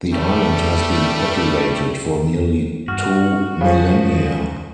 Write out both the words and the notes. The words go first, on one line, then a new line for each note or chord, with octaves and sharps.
The island has been populated for nearly two millennia.
G3 A3
G2 F#4 F6
C#3 F3 F#3 F5